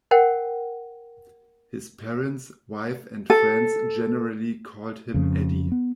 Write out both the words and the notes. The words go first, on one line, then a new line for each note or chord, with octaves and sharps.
His parents, wife, and friends generally called him Eddie.
A#4 C5 F#5 G5
A4
F2 C#3
B3